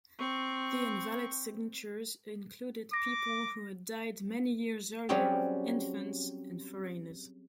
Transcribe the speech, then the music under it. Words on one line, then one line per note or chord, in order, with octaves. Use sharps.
The invalid signatures included people who had died many years earlier, infants, and foreigners.
C4 C#6
D6 A#6
F#3 G3 C4 C#4 G4 G#4